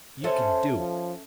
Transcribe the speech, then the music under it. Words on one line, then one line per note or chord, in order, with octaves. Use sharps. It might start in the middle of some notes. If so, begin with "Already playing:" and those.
You can do it.
C#4 A4 C5 E5
F3